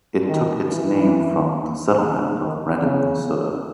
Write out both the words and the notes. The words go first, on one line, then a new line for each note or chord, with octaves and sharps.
It took its name from the settlement of Brandon, Minnesota.
D#3
E3
D#3
C#3